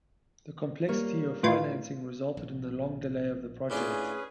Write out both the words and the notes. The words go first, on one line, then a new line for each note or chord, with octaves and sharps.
The complexity of financing resulted in the long delay of the project.
G3 A#3 C#5
A2 E3 F4
A#1
A2 C#4 D4 F4 G#4 B4